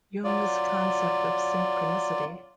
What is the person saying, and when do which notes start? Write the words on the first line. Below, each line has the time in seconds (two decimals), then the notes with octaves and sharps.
Jung's concept of Synchronicity.
0.24 F#3 F4 D5